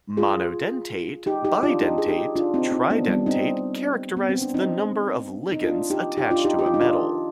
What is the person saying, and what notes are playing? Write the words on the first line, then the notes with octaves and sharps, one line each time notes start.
Monodentate, bidentate, tridentate characterized the number of ligands attached to a metal.
F4 G#4
D#4 G4
D#4 G4
D4 F4
D#4 G4
G#4
D#4 G4
D4 F4
C4 D#4
C4 D#4
B3 D4
G3 B3
C4 D#4
B3
C4
D4
C4 D#4
D#4
D4 F4
D#4 G4
D#4 G4
D4 F4
D#4 G4
G4
F4
D#4
D4 F4